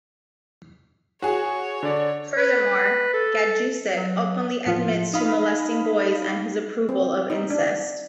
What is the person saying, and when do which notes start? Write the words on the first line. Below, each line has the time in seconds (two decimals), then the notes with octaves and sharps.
Furthermore, Gajdusek openly admits to molesting boys and his approval of incest.
1.22 F#4 G#4 C#5
1.83 D3 D5
2.37 B4
3.14 A4
3.97 F#3
4.66 A2 F3 F4
5.13 D#4 D#5 F5 B5
6.89 C4
7.30 D#4
7.50 D4